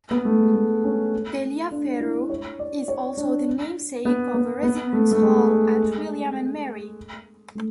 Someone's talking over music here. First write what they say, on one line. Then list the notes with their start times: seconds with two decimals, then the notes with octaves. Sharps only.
Taliaferro is also the namesake of a residence hall at William and Mary.
0.11 B3
0.25 A3
0.40 G#3
0.54 A3
0.84 C#4
1.71 D4
2.01 E4
2.30 C#5
2.59 D5
2.88 C#5
3.17 D4
4.05 B3
4.34 B3
4.63 B3
4.93 A3
5.11 A3
5.22 G#3
7.55 A3